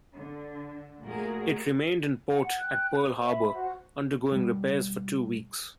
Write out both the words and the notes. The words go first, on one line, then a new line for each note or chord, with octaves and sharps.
It remained in port at Pearl Harbor undergoing repairs for two weeks.
D3
A#2 A3 F#4 G#4 A#4
F#5
G5 F#6
C5
E5 B5
F#4 C5
B2 G3